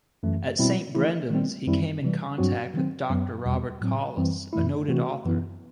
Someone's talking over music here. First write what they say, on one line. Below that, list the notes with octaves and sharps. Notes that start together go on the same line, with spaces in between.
At Saint Brendan's he came in contact with Doctor Robert Collis, a noted author.
F#2 E3 A3
B2 G3 C4 E4
E3 A3 E4
D#3 G3 C4
F#2 D#3 G3 C4 E4
C3 E3 G3
G2 F#3 C4 F#4
D#3 F#3 C4
F#2 F#3 B3
E2 B2 G3
A2 F#3 C4
F#2 E3 G3 C4
F#2 E3 A3 E4
C3 E3 A3 C4 F#4
F#2 E3 B3 E4